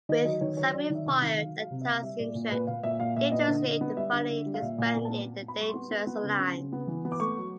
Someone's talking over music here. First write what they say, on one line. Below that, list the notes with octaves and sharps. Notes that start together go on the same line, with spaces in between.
With Sabu fired and Taz injured, Dangerously finally disbanded The Dangerous Alliance.
D#3 D#5
F#3 D#5
D#3 C#5
F#3 C#5
F#3 D5
D#3 E5
C3
D#3
F#3 F5
F#3
F5
C3
E5
C3
G3 E5
A#2 D5
A#2
A#2 B4
A#2 F5
A#2 E5
A#2 F5
A#2 E5
B3 D#5
D3
D3
B3
G3 E5
D3
D3
G3
F5
A#2 E5
A#2 G#5
B3
A5
B3
B3
B3
B5
G3 C#6
C6
B3
B3
B3
C#3
C#3
C#3
B3
E3
B3
D6
A3 C#6
F#3